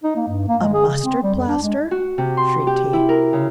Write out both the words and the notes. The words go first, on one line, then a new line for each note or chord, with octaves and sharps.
"A mustard-plaster?" shrieked he.
D#4
A#3
G2
A#3
G#3
G#4
C#3
C4
G3
F2
D4
G#3
F#4
C3
C6
G4
E4
A#4
C#3